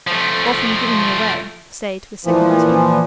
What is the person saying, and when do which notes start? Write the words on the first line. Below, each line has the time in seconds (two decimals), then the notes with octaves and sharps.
"Or from giving them away,--say to a second husband."
0.07 F3 A3
2.25 A#2 E3 F3